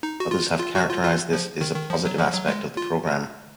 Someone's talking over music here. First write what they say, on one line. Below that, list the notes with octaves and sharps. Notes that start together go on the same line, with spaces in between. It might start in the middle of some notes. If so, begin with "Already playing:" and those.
Others have characterized this is a positive aspect of the program.
D#4
F#4
F4
F4
F#4
F4
F4
F3
D#3
D#3
F3
F#3
F3
F#3
G#3
F4